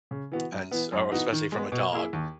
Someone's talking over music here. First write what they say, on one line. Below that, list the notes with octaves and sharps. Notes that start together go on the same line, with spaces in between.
and s or especially from a dog,
C#3
E3 B3 F#4
F#2
E3 B3
F#2
E3 B3 D#4 F#4
D#3
G#3 B3
B2
A#3 E4 G#4
D#2